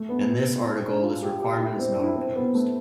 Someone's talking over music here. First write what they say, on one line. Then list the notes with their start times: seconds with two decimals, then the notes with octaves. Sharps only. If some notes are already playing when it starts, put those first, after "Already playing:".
In this article this requirement is not imposed.
Already playing: A3
0.09 B3
0.66 C4
0.84 D4
1.03 F4
1.22 G4
1.42 G4
1.59 E4
1.79 C4
1.91 D4
2.03 E4
2.16 C4
2.36 B3
2.55 A3